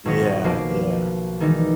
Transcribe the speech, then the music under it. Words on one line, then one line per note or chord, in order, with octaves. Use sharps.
Yeah, yeah.
D#1 F#3 C4 D#6 A#6 C#7
B1 F3 A#3 D6 C7
D#3 E3 G3 G#3 D#4